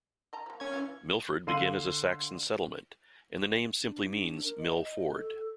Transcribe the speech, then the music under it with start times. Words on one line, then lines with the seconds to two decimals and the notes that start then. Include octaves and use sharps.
Milford began as a Saxon settlement, and the name simply means "mill ford".
0.33 D#5 A5 A#5
0.46 F3 A#3
0.60 A#3 C#4 C#5 G#6
0.72 E3 F4 F5
1.47 D3 F5 C6 D#7 F#7
3.82 D4
4.44 A#4
4.59 D#5
4.85 D#5
5.14 A4